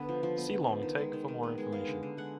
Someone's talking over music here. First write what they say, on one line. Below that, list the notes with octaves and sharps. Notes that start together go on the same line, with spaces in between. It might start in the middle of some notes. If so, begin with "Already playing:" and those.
See Long take for more information.
Already playing: D3 B3
F3
F3
B3
B3
F3
D#3
G#3
D#3
D#3
B3
G#3
G#3 F5
D3
D3
G#3 F#5